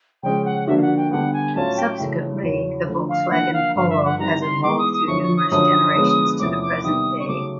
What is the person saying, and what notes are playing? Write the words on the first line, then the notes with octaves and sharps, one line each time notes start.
Subsequently the Volkswagen Polo has evolved through numerous generations to the present day.
C#3 F3 G#3 C#4 G5
F#5
D3 F3 A#3 D4 F#4 E5
F5
F#5
G5
D3 G3 B3 F#5
G#5
A2 F#3 A3 C#4 F4 A5
G5
F#2 C#3 E3 A3
E2 C#3 F#3
D3 F3 A3
F5
F3 A#3 D4 F#5
F5
G2 D3 F3 F5
E5
F#5
D#3 G3 C4 E4 A#5
C6
E3 G#3 B3 D6
D#6
D#6
F#2 D3 F3 C#6
C#6
D#6
F#2 D3 F3 D#6
D3 F3 G#3 B3
E2 C3 F3 A3 C#4 D6
D#6
D6
C3 D#3 G3 B3 D#6
C#6
C#3 F#3 A3 D6